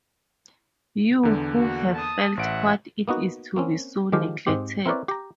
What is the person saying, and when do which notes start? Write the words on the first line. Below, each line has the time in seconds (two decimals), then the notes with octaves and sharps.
You who have felt what it is to be so neglected!
1.23 E2 D3
1.58 A#3 F#4
1.95 A5 D#6
2.37 A1 E5 F#5 D7
3.08 A#3 B3 D#4 F#4
3.56 A#3 C4 C#4
4.12 D#3 F3 G#3 G4 F5
4.47 G#2 G#3 C4 G4
4.86 C4 E4 A#4 B4 C#5 D5
5.08 G4 A#5